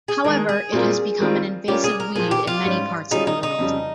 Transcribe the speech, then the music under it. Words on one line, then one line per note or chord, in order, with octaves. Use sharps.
However it has become an invasive weed in many parts of the world.
G#4
D#3 G#3 D#4 G#4 A#4
G#4
A#2 G3 C4 F4 A#4
D#3 G3 C4 F4 A#4
G3 C#4 F4 G4 A#4
G#4
A#4
A#2 F3 A#3 G#4
G4
F4
G#2 G3 C#4
G3 C#4 D#4 F4 G#4
D#4
D#4
F2 C#3 G3